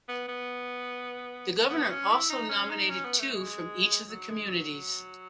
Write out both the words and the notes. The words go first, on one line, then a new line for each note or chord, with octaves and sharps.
The Governor also nominated two from each of the communities.
B3
B3
B3
C#4
E4
D#4
C#4
D#4
C#4
B3
A3
G#3
F#3
G#3
F#3